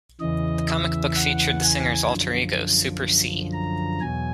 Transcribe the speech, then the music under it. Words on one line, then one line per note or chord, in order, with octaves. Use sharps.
The comic book featured the singer's alter ego, "Super C".
E2 C#3 E3 D#5
E5
F#5
G#5
F#2 D3 F3
A#5
E2 B2 F#3 G#5